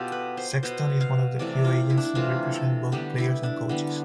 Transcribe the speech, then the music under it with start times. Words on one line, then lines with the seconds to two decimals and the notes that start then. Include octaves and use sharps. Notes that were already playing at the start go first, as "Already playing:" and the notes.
Sexton is one of the few agents to represent both players and coaches.
Already playing: B2 B3 F4 G4 A4
0.12 B4
0.37 C5
0.63 B2 B3 C5
1.00 F5
1.39 C3 E3 A3 D5
1.64 F4
1.90 E4
1.97 D4
2.05 E4
2.15 C3 E3 A3 F4
2.54 A4
2.92 D3 G3 B3 G4
3.18 E4
3.43 D4
3.69 D3 G3 B3